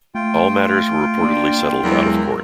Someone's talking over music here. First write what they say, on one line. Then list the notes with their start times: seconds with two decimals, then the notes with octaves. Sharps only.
All matters were reportedly settled out of Court.
0.15 A3 F4 G5
1.14 A#3 D4
1.84 E2 F#3 G#3 A#4